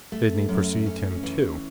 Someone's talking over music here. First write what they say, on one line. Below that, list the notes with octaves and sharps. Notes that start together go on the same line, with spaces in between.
Sydney perceived him too.
A3
F#2
C#4
E3